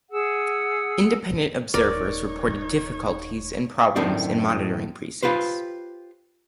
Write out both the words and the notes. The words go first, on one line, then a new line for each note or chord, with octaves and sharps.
Independent observers reported difficulties and problems in monitoring precincts.
G#4 F#5 E6
D#1 D#4 A#4 C#5 D5
F#2 A2 D#3 C4 D4
F4 G4 B4 C5